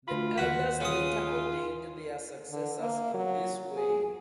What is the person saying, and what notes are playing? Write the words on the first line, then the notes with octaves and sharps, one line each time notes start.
The elders later ordained their successors in this way.
D2 F4 B5
D#2 F#4 F#6 B6
C#3 F4 D#6
D3
A#3
F#3
G#4